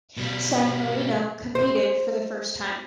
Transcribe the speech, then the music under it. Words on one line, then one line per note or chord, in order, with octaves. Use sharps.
San Marino competed for the first time.
B2 G3
C5